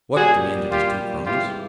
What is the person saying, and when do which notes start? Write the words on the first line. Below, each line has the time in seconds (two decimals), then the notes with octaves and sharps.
"What?" demanded his two cronies.
0.15 A#2 G3 F#4 G#4
0.71 F4 G4
1.25 G#2 E3 G3 F4 G4